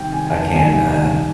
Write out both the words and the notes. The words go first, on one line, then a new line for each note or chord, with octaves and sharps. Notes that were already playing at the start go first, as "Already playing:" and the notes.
I can't, uh,
Already playing: C3 D#3 G3 G5
G#5
G#5
A5
D#3 G3 G#5